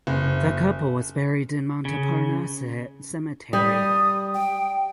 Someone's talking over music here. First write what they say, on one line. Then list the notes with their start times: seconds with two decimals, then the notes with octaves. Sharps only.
The couple was buried in Montparnasse Cemetery.
0.07 F#1
1.85 C#3
3.53 G3 D#6
4.34 G5